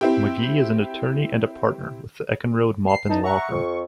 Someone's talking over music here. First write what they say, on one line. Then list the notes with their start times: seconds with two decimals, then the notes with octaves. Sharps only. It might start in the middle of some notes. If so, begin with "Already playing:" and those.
Magee is an attorney and a partner with the Eckenrode-Maupin Law Firm.
0.01 C4 E4 G4
2.87 C7
3.09 E2 D#4 A5
3.24 E5 F#5 A#5 C#6
3.51 F2